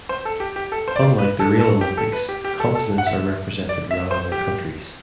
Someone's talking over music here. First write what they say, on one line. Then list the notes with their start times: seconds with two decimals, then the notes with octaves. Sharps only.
Unlike the real Olympics, continents are represented rather than countries.
0.09 C5
0.25 A4
0.40 G4
0.56 G4
0.72 A4
0.88 C5
0.96 D5
1.03 C5
1.19 B4
1.40 A4
1.60 A4
1.81 G4
1.97 A4
2.13 B4
2.29 G4
2.45 G4
2.60 A4
2.75 A4
2.98 F#5
3.07 E5
3.69 D5
3.91 E5
4.11 C5
4.32 G4